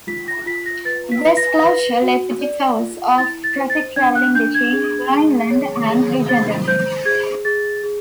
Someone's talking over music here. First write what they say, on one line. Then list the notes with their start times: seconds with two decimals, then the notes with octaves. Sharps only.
This closure led to detours for traffic traveling between Vineland and Bridgeton.
0.07 F4 B6
0.28 A#6
0.46 F4 B6
0.66 A#6
0.85 B4 A6
1.12 B6
1.25 B4
1.37 A#6
1.63 B4
2.02 F#4
2.41 D5
2.79 F4
3.18 E4 A6
3.44 A6
3.57 C5
3.70 A6
3.96 D4 G#6
4.15 F#6
4.35 D4 G6
4.55 G#6
4.73 G#4
5.12 G#4
5.51 C#5
5.90 G#4
6.28 C5 A6
6.68 C5 G6
7.05 G#4 G#6
7.45 G#4 A6
7.84 G#4